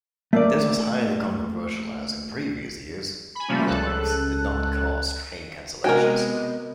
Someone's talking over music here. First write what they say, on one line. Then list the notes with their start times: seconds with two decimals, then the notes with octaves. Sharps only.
This was highly controversial as, in previous years, 'heatwaves' did not cause train cancellations.
0.33 A3 A#3 D5
3.35 G#5 B5
3.48 C3 F3 G3 A3 A#3 C#4
3.67 C#2 A4 F#6
5.84 C3 G#3 B3 F#4 A#4 G5 G#5